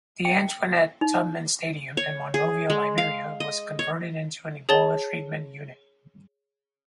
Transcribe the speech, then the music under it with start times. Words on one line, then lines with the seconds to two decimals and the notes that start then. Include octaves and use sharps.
The Antoinette Tubman Stadium in Monrovia, Liberia was converted into an Ebola treatment unit.
0.25 G5
1.01 D#4
1.97 C#5
2.34 G#4
2.70 G#3
2.98 F5
3.40 D#5
3.79 C#5
4.69 G#4 C#5 A5 A6 G7